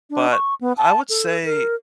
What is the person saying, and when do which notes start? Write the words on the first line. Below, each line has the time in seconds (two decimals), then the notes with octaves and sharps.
But, I would say,
0.10 D4
0.32 C#6
0.61 B3
0.77 A5
1.10 A4
1.45 A#4